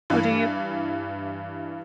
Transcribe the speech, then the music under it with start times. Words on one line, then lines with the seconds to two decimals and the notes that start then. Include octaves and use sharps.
Oh, do you?
0.10 G2 E3